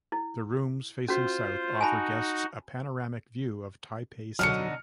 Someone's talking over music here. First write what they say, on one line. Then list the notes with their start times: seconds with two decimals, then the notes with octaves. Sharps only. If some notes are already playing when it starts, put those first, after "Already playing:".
The rooms facing south offer guests a paranomic view of Taipei City.
0.12 E4
1.09 C#4 F4 F#4 C5
1.81 D#4 F#4 G#5 A5 B5
4.39 B2 D3 F#3 D#4 F6 C#7